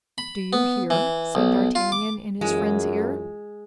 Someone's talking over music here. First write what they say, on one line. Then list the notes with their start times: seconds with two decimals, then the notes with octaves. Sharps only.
"Do you hear?" said D'Artagnan in his friend's ear.
0.18 B5
0.53 B3
0.90 E3
1.35 B1
1.75 F4
1.92 D6
2.41 F#2 E3 G#3 F4 G#4